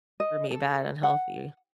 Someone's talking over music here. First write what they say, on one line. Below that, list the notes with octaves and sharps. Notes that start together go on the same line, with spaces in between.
for me bad, unhealthy.
D#5
A4
F#5